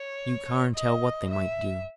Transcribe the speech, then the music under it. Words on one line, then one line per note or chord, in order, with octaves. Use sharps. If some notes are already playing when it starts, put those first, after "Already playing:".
"You carn tell what they might do."
Already playing: C#5
D#5
E5